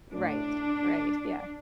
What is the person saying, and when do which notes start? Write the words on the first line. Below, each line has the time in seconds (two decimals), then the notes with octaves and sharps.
Right, right, yeah.
0.12 A2 D4